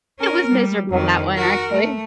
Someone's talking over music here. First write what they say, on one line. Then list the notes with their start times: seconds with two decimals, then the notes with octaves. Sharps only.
It was miserable that one, actually.
0.20 C#4 A#4
0.52 G3
0.91 F2 D#3
1.36 F#4 A#4
1.73 A3